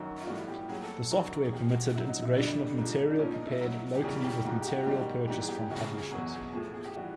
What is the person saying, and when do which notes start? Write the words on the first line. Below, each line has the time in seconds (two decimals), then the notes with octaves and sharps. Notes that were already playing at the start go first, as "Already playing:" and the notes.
The software permitted integration of material prepared locally with material purchased from publishers.
Already playing: F#2 D#3 F#3
0.21 F4
0.27 A2 E3 G3 F#4
0.48 G4
0.69 A#2 F#3 G#4
0.82 A4
1.11 F#2 D#3 F#3
1.46 G#4
1.52 A#2 F3 G4
1.73 F#4
1.94 B2 E4
1.98 F#3
2.08 D#4
2.22 E4
2.36 F2 D3 G3 D4
2.78 G#2 F3
3.10 D4
3.19 A#2 F3 C#4
3.33 D#4
3.47 E4
3.61 A#2 F#3
3.95 G4
4.03 F#2 C#3 E3 G3 G#4
4.25 G4
4.45 G#2 F3 F#4
4.62 G4
4.66 F#4
4.86 G#2 D#3 G3 G4
5.28 G#2 E3 G3 G4
5.43 G#4
5.49 G4
5.70 F#2 C#3 F3 F#4
5.84 G#4
5.98 G#4
6.11 E2 B2 F#3 G#4
6.33 G#4
6.53 A2 F3 G#4
6.74 G#4
6.85 G4
6.96 E3 G3 F#4